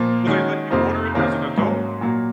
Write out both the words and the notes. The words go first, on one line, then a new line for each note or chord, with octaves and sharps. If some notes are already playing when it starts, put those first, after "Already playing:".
Will they let you order it as an adult?
Already playing: A#2 F3 A#3
D#3 G#3 C#4 F#4
F2 C3 F3 A#3 D#4
C3 D#3 A#3 C#4
G#2 F#3 A#3 C#4
A#2 F#3 A#3